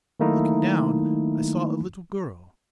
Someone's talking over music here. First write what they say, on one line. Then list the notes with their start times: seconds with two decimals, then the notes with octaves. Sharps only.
Looking down I saw a little girl.
0.20 D#3 F#3 A3 A#3 D#4 E4